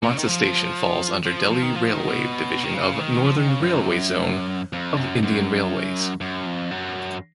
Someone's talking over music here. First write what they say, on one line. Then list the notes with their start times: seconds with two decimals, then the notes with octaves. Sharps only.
Mansa station falls under Delhi railway division of Northern Railway zone of Indian Railways.
0.03 B2
0.11 C#3
0.18 D#3
0.26 F3
1.26 F3
1.51 F3
1.63 D#3
1.75 F3
1.91 D#3
2.08 B2
2.64 D#3
2.74 C#3
2.99 D#3
3.23 F3
3.37 D#3
3.48 C#3
3.60 F#2
4.73 F2
4.97 F#2
5.23 F#2
6.21 F#2
6.46 F2
6.71 F#2